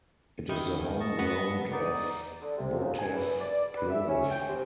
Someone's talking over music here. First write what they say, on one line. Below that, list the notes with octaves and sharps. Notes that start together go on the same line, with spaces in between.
It is the home ground of Botev Ploviv.
D#3 E4
D#5 A5 C#6
B3
D#4 D5
D3
C3
D#2
G#5
E2
D5
B4
E5
C#4
G5
C3